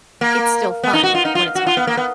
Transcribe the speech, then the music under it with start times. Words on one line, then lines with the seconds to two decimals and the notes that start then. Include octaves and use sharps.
it's still fun when it's hard.
0.21 A#3
0.83 B3
0.93 D#4
1.03 F#4
1.15 F4
1.25 D#4
1.35 F4
1.55 F#4
1.67 F4
1.77 B3
1.87 A#3
1.97 B3